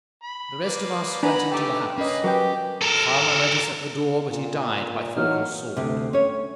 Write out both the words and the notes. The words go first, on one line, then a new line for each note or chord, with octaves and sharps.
The rest of us went into the house. The farmer met us at the door, but he died by Thorkel's sword.
B5
A#3 B4 D5
D4 B4 F#5 G#5 A#5 B5
A3 D#4 G4 G5 D6
A#3 C#4 B4 D#5
F#3 G4 A#4 B4 G5
A4 A#4
A#2
E3 F#3 A#3 D#4 F6
D2 C3
C#4 C#5